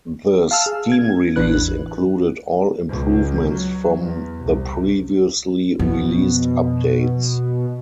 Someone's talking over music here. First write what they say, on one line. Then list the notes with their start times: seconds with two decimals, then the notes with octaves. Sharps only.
The Steam release included all improvements from the previously-released updates.
0.51 F5 A5 E6 F6
0.66 G#4
0.92 G#6
1.36 A1 E2 E3 D4 B4 F#6
2.89 C#2
3.51 F#3
4.01 E2
4.40 C2
5.79 F2 B2